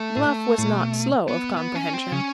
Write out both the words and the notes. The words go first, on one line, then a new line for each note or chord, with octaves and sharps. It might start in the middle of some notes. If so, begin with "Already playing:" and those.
Bluff was not slow of comprehension.
Already playing: A3
A2
A2
A#2
B2
B3
B3
C#4
C4
C#3 C#4